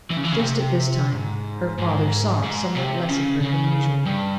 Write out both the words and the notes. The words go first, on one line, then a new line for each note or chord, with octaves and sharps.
Just at this time, her father saw somewhat less of her than usual.
E3
C#3
E3
C#3
C3
G#2
G#2
G#2
C3
C#3
C#3
G2